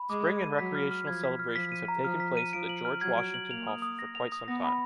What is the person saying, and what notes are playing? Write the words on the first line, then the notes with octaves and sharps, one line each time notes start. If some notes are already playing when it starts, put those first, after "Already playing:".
Spring and recreational celebrations have taken place at the George-Washington-Hof for quite some time.
Already playing: B5
G#3 D6
G#6
D#7
F#3 B6
F6
F6
F3 G#6
B6
F6
F3 B6
D#7
A#5
F3 F6
B6
D#7
F3 D7
F#7
F6
F#3 G#6
D7
F#7
A#3 F7
D#6
D#6
A#6
F7
D#6
B3 A#6
B5